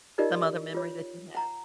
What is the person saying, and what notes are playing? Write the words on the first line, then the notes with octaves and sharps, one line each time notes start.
some other memory that you have?
D#4 F4 G4 A#4 D5 D#5
F4 C#5
F#5 A#5